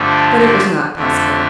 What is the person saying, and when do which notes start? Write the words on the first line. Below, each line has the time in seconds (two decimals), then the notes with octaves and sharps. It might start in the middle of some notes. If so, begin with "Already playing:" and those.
But it was not possible.
Already playing: G2 D3 F3 A3
0.95 F2 D3 A3